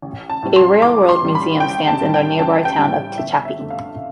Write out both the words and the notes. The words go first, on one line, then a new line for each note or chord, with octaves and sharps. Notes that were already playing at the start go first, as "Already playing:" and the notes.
A railroad museum stands in the nearby town of Tehachapi.
A1
A5
A2 G3
C6
A1 D6
C6
A2 G3
B5
A1 G5
A5
A2 G3
G5
A1 A5
G5
A2 G3
G1 E5
E5
F2 D3 A3
F5